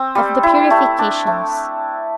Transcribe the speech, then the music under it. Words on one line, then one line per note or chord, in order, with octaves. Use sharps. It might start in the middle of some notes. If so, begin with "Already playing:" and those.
Of The Purifications.
Already playing: C4
G3
E4
A3
D4
A3